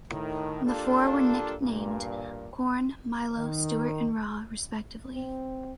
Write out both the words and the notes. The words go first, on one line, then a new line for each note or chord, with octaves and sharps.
The four were nicknamed "Corn", "Milo", "Stuart", and "Raw", respectively.
A2 D#3
A#3 D4 F4 G4 A4
G2 A#2
D#3
C4